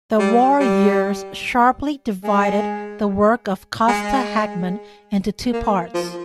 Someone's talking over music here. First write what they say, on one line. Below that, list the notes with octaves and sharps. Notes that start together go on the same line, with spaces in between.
The war years sharply divided the work of Kosta Hakman into two parts.
G3
G3
G#3
G#3
A#3
F3